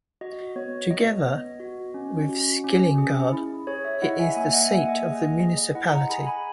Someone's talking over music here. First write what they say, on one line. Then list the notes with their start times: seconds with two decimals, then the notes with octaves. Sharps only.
Together with Skillingaryd it is the seat of the municipality.
0.21 F#4 D#5
0.56 B3 C#5
0.90 B3 D#5
1.25 B3
1.60 F#4
1.94 C#4
2.29 F#4
2.64 C#4
2.98 G#4
3.32 E4
3.67 G#4 C#5
3.84 C#5 E5
4.02 E4 D#5 F#5
4.19 E5 G#5
4.36 A#3 E5 G#5
4.54 D#5 F#5
4.71 A#3 E5 G#5
4.88 D#5 F#5
5.06 G#4 D#5
5.23 D#5
5.40 G#4 D#5
5.57 D#5
5.75 E4 D#5 F#5
5.92 F#5 A#5
6.09 G#4 G#5 B5
6.27 G#5 B5